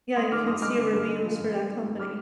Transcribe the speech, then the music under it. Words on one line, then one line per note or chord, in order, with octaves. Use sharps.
Yeah, you can see reviews for that company.
G#3 C6 D#6
D#3 D6 F6
G2 C6 D#6
G#3 D6 F6
D3
G2
G#3
F3
G2
G3
D#3
G#2
G3 D6 F6